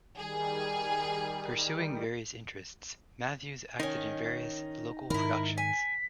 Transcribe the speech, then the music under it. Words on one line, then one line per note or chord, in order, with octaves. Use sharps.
Pursuing various interests, Matthews acted in various local productions.
D#3 G3 G#4
D#3 C#4 D#4
G#2 D#3 E4 A#4 B5
G#5 B6